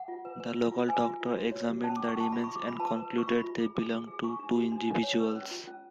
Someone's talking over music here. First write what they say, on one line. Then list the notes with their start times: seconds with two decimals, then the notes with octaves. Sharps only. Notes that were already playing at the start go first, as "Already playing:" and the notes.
A local doctor examined the remains and concluded they belonged to two individuals.
Already playing: F#5
0.08 F4
0.25 B4
0.40 B4
0.56 F4
0.72 F4
0.88 B4 G#5
1.05 F4
1.21 F4
1.36 F#4
1.52 C#5
1.68 F#4
1.84 C#4 A5
1.97 C#4 D6
2.08 C#6
2.16 C#4 A5
2.32 F4 B5
2.44 C#6
2.48 F4
2.56 D6
2.64 F4 B5
2.80 B4 A5
2.96 B4
3.12 B4
3.18 C#6
3.28 F4 B5
3.44 F4
3.60 G#4
3.76 G#4
3.91 G#4
4.08 G#4
4.23 D4 C#6
4.39 D4
4.56 F#4
4.72 D4
4.87 D4
5.03 C#5
5.20 B4
5.35 C#4
5.51 F4
5.67 C#4